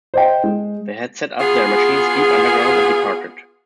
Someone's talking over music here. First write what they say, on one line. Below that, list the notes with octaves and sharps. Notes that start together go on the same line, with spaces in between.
They had set up their machines deep underground, and departed.
C5 D#5 G5
G#3
B3 F4 F#4 G#4